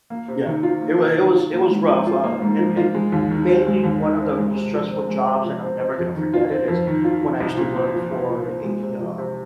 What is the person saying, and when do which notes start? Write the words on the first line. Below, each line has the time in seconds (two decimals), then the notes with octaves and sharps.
Yeah, it wa it was it was rough, uh, and and mainly one of the most stressful jobs, and I'm never gonna forget it, is when I used to work for a, um
0.10 A#3
0.28 C3
0.46 D#3
0.63 F4
0.82 A#3
0.99 C3
1.17 D#3
1.35 F4
1.53 A#3
1.70 G#2
1.88 F3
2.06 F4
2.23 A#3
2.42 G#2
2.59 F3
2.77 F4
2.95 G#3
3.12 D#2
3.31 D#3
3.49 C4
3.67 G#3
3.84 D#2
4.02 D#3
4.20 C4
4.38 G#3
4.55 C3
4.73 F3
4.91 C4
5.09 G#3
5.26 C3
5.44 F3
5.63 C4
5.80 C4
5.98 F2
6.15 D#3
6.34 F4
6.51 C4
6.68 F2
6.87 D#3
7.04 F4
7.22 F3
7.41 C2
7.57 A#2
7.76 C4
7.94 F3
8.11 C2
8.29 A#2
8.46 C4
8.64 G#3
8.83 C3
9.00 F3
9.18 C3